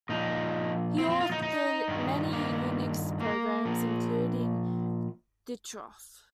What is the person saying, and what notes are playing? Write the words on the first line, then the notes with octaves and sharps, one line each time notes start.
He authored many Unix programs, including ditroff.
A#2 F3 D#4
C4
C4
F4
D#4
D#4
G2 D#3
A#3
A#3
A#2 F3